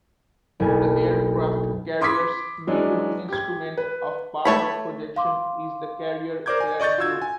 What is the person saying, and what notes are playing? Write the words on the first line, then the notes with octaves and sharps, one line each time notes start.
The aircraft carrier's major instrument of power projection is the carrier air group.
F#1 B1 G#5 A5 G#6
B5 C6 D6 D#6 G#6 B6
E3 F#3 G#3 C#4 D4
G4 G#6
B4
A3 C#5 B5
F5 C6 D6
A#4 C5 D5 D6 G6 G#6
G#5
D5 D#5 C#6 G6 A6
F4 F#4 E6 G#6
G#5